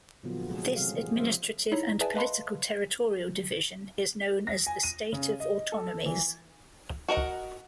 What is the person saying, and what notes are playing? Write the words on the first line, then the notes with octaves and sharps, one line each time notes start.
This administrative and political territorial division is known as the "State of Autonomies".
A#2 D3 F3 F#3 B3 F4
C3 F#3 G#3 G#4 A4
C#3 E3 G3 C4 G#4 F5
G4 G#4
F3 G3 C#4 C5 E5 F5
D#4 E4 C#5 A#5
G#4 B4 D5 E5 G#5 A5
B4 D#5 F5 A5 B5 C6
A#6
G#5
D#7
C#3
D#5
A4
E3
F#4 A#4 D#5 F#5